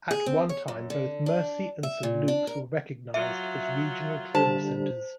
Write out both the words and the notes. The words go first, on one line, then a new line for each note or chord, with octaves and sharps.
At one time both Mercy and Saint Luke's were recognized as regional trauma centers.
G#4
C4
C#5
F#2
D3
D4
E5
A#2
D4
A#4
F#3 F4 E5
D3 G3 C5 A5